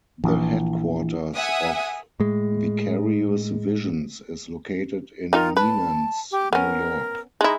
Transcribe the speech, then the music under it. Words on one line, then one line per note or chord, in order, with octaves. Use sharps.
The headquarters of Vicarious Visions is located in Menands, New York.
A#1 E3
E5 F#5 G#5 D#6
A2 G#3
D#3 D#4 F4 A#4
B4 A5
G4
B3 C#4 A#4
G#3 D#4 E4